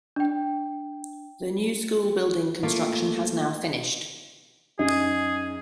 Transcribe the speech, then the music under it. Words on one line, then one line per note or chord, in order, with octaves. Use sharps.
The new school building construction has now finished.
D4 G5
A3 A#3 F4
F#2 D#4 G#4